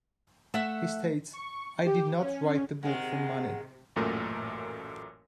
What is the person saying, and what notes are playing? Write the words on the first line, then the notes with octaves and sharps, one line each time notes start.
He states, I did not write the book for money...
A3 E5 F#5 E6
C#6
G4
C#4
C3 D#3 G#3 F#5
A1 F#2 A#2 A3 A#4